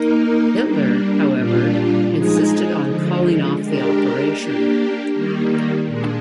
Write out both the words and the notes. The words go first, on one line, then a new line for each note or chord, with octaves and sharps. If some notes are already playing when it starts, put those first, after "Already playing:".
Hitler, however, insisted on calling off the operation.
Already playing: A#3 D#4 A#4
G3 A#3 D4
A#2 G3 D4 F4
F3 G#3 D#4 G#4
D3 F3 G#3
G#3 D4 G4 A#4
A#3 D4 G4
D#3 G3 A#3
A#2 G#3 D4